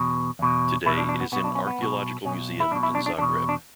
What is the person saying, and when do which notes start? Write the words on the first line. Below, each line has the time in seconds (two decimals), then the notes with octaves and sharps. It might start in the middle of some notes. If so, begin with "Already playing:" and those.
Today it is in Archaeological Museum in Zagreb.
Already playing: E2 B2
0.39 E2 B2
0.86 B2 E4
0.89 E2
0.97 D4
1.09 D4
1.20 B3
1.32 B2 B3
1.36 B1
1.44 D4
1.55 C#4
1.67 B3
1.79 B1 B2
2.25 B1 B2 C#4
2.60 E4
2.71 B1 D4
2.76 B2
2.83 E4
2.95 D4
3.06 D4
3.18 E2 D4
3.21 B2
3.49 D4